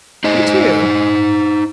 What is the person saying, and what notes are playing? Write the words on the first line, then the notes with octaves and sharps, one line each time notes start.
You, too.
D#4 C5 D#5